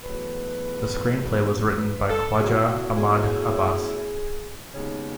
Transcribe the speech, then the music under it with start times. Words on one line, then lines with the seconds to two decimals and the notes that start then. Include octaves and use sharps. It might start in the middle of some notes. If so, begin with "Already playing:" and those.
The screenplay was written by Khwaja Ahmad Abbas.
0.03 E2 B2 F#3 A3 B4
1.80 B4
2.09 A4
2.38 B2 A3 C#4 E4 G#4
2.47 F#4
2.65 F#4
2.97 G#4
3.27 G#4
4.74 D#2 C#3 G#3 B3 D#4 C#5